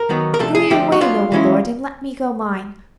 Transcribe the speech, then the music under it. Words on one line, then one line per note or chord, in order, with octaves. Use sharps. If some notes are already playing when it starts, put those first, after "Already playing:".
'Go your way, noble lord, and let me go mine.
Already playing: A#4
D#3 F#3 B3 D#4
A#4
C3 F3 A3 D4 A4
G#4
D3 F3 A3 C4 G4
F#4
F#3 B3 D4 F4
E3 G#3 C#4 E4